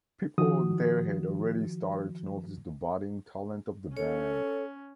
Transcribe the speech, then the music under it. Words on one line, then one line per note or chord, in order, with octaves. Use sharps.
People there had already started to notice the budding talent of the band.
D#3 F3 F#4 D#6
C#4 A4 C#5